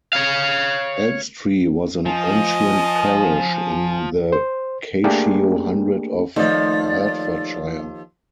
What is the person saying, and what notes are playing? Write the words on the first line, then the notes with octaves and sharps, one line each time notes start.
Elstree was an ancient parish in the Cashio Hundred of Hertfordshire.
C#5 F5
F3 D#5 G#5
C5
A3 A#3 D4 G4 G#4 A#4
D#2 F3 A3 D#4 D5